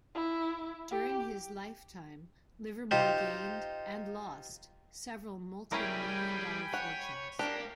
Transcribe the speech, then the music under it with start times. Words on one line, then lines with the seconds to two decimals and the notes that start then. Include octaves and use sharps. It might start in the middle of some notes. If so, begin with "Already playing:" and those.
During his lifetime, Livermore gained and lost several multimillion-dollar fortunes.
0.15 E4
0.91 G4
2.91 D#4 F4 G4 C5
5.72 G3 C#4 E4 G#4 A#4 G5 G#5 B5
6.74 C#5 F#5
7.39 A#3 D4 G4